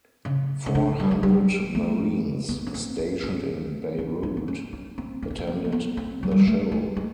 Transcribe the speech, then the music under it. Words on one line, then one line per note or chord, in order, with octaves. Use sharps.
Four hundred Marines stationed in Beirut attended the show.
C#3
C#3
D3
G3
F#3
G3
A3
B3
C#4
C4
C#4
C#4
C#4
C#4
C4
C#4
C#4
C4
C#4
C4
C#4
C4
A#3
B3
C4
F#3
G3
G#3
A3
G#3
G#3